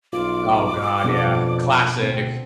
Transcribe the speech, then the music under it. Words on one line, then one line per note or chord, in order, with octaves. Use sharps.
Oh God, yeah, classic.
B1 F4 D6
F2 B2 B3 D4
D2 C4